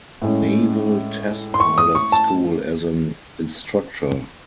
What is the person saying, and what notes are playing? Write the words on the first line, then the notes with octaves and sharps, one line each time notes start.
Naval Test Pilot School as an instructor.
A2 G#3 C#4
C6
C#6
D#6
C#6
A5